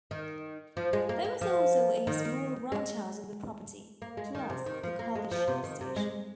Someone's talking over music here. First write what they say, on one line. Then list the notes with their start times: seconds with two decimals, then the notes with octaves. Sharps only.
There was also a small roundhouse on the property, plus the College Hill Station.
0.11 D#3
0.77 F3
0.93 G#3
1.09 A#3
1.24 G#3
1.41 F3
2.07 D#3
2.72 G#3
4.02 A#3
4.17 G#3
4.35 D#3
4.50 C3
4.66 D#3
4.83 F3
4.99 A#3
5.15 G#3
5.31 F3
5.47 C3
5.64 D#3
5.81 C3
5.96 G#3